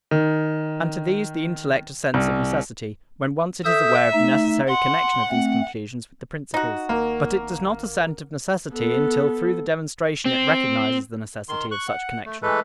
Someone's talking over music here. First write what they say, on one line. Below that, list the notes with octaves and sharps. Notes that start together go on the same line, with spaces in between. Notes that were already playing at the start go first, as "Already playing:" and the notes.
And to these the intellect assents of necessity, when once it is aware of the necessary connection of these conclusions with the principles; but it does not assent of necessity until through the demonstration it recognizes the necessity of such connection.
D#3
C2
A4 E5 D#6 G6
A3 D#4
F#5 C6
A3 C4
D#4 F#4
G#1 A#3
B3 A4
C4
D#3 C6
C#6 F#6
F#5
A3
E3 G#3 A3 A4 B4